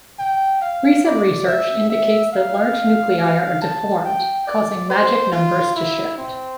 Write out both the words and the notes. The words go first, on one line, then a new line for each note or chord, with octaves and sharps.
Recent research indicates that large nuclei are deformed, causing magic numbers to shift.
G5
F5
D5
E5
E5
F5
F5
A5
G5
D5
C5
F4
E4
C4